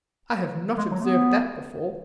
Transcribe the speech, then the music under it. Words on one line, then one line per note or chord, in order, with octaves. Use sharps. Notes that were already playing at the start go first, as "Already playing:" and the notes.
I have not observed that before.
G#3
F#3
A3
B3